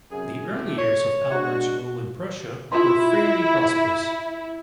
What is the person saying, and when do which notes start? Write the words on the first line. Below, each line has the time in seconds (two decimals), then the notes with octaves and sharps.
The early years of Albert's rule in Prussia were fairly prosperous.
0.11 F#2 C3 G#4
0.48 B2 D3 A3 E4 G4
0.77 C#5
1.32 G#3 D4 F#4
2.72 E4 F4 C6